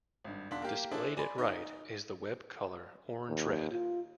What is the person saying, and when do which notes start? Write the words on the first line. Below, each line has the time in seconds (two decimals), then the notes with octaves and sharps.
Displayed at right is the web color orange-red.
0.24 G#1 G2
0.51 E1 D4 F4 F#5 C6 B6
0.62 A#3 G4 F5
0.91 D4 E4 G#4 A4 C5
1.17 D5 G#5 B5 C6
1.38 D#4
3.29 D#2
3.72 F4